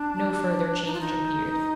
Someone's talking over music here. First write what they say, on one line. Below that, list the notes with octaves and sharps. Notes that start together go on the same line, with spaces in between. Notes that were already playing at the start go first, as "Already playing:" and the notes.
No further change appeared.
Already playing: D4
D#4
F4
D#4